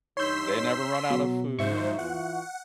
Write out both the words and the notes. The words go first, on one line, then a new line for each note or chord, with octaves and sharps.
they never run out of food and
G2 E3 D#4 C#5 C6 E6 G6 B6
B2 F#3
G#2 F3 F#3 D#4 C5 E5 C#6
E3 F4 F#5